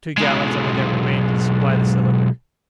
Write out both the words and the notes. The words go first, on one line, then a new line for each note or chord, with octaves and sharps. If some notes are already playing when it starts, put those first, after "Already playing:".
Two gallons only then remained to supply the cylinder.
B1 G#3